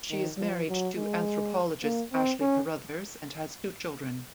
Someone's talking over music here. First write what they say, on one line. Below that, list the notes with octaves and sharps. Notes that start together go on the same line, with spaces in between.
She is married to anthropologist Ashley Carruthers and has two children.
D#3
F3
F#3
G#3
A#3
C4
C#4